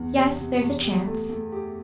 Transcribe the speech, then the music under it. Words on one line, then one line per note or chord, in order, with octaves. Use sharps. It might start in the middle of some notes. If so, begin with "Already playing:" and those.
"Yes, there's a chance."
Already playing: E2
C3
C3
E2
G4
A3
A3
G4